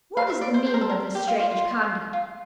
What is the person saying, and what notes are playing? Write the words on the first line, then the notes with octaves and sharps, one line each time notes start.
What is the meaning of this strange conduct?
F5
E5
D5
C5
C5
A#4
A4
A#4
G4
F4
F4
F4
F4